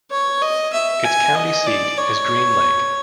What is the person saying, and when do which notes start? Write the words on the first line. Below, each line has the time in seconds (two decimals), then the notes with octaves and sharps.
Its county seat is Green Lake.
0.11 C#5
0.42 D#5
0.73 E5
1.04 G#5
1.35 D#5
1.66 D5
1.97 C#5